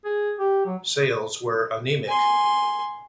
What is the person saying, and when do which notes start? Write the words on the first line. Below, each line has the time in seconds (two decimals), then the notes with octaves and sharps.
Sales were anemic.
0.05 G#4
0.39 G4
0.66 F#3
2.08 G#5 C6